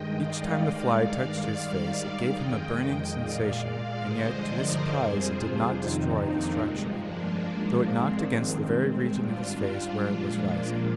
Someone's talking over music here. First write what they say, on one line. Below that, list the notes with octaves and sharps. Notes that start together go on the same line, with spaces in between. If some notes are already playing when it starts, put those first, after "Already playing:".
Each time the fly touched his face it gave him a burning sensation and yet to his surprise it did not destroy the structure, though it knocked against the very region of his face where it was rising.
Already playing: G2 D#3 G#3 D#5 G5
D5 F5
G2 D#3 G#3 D5 F5
D5 F5
G#2 D#3 G3
D5 F5
F2 D#3 G#3 D#5 G5
A#2 G#3 D5 F5
G2 D3 F3 G#3 C5 D#5
A#4 D5
F2 C3 G3 G#4 C5
D4 F4
F2 C3 D#3 C4 D#4
A#3 D4
G2 F3 G#3
A#3 D4
G#2 F3 G#3
C4
G2 D#3 G#3
C4
G#2 G3 D4 F4
D4 F4
A#2 F3 G#3
A#3 D4